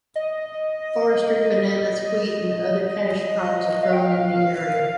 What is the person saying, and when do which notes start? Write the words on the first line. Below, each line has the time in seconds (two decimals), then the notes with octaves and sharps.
Forestry, bananas, wheat and other cash crops are grown in the area.
0.16 D#5
3.83 F5
3.93 G5
4.03 F5